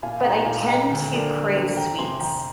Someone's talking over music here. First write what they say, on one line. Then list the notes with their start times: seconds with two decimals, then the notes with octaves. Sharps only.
but I tend to crave sweets.
0.03 A#2 F5 G#5
0.24 G#3 D#4 G5 A#5
0.46 A#2 F5 G#5
0.68 G#3 D#4 G5 A#5
0.90 D2
1.12 D3 F3 A#3 D4
1.34 D2
1.55 D3 F3 A#3 D4
1.76 F2 G5 A#5
1.98 C3 F3 G#5 C6
2.20 F2 G5 A#5